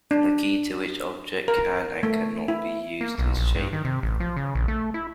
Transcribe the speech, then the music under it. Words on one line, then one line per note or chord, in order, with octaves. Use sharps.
The key to which objects can and can not be used is shape.
D4
A#4
A3
E4
A#3
B1
A#1
G2
D#3
C3
A1
F3
C#3
A#1
A3
E4